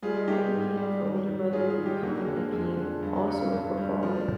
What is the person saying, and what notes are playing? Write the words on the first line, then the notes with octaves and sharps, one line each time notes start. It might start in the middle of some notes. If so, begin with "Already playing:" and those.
Murat Yakin is the older brother of Hakan Yakin, also a footballer.
G3 F4 G#4
G3 D#4 G4
G#2
G3
D#3
D#3
G#2 F4 G#4
F4 G#4
D#3
D#4 G4
D3 A#3
G#3
D3
A#3
F2 G#3
D3
G2
G2
G2
G3
F3